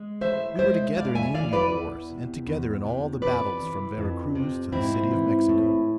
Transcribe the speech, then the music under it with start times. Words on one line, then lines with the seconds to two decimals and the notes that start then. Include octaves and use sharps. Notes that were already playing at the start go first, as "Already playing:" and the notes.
We were together in the Indian wars, and together in all the battles from Vera Cruz to the City of Mexico.
Already playing: G#3
0.21 A2 C5 E5
0.59 G#3 C5 E5
0.97 A2 D5 F5
1.15 E5 G#5
1.34 E3 D5 F5
1.53 B4 D5
1.72 E2
2.10 C3
2.47 E2
2.85 C3
3.22 F2 B4 D5
3.59 E3
3.98 F2
4.35 C3
4.72 G#2 C4 E4
5.11 E3
5.49 A2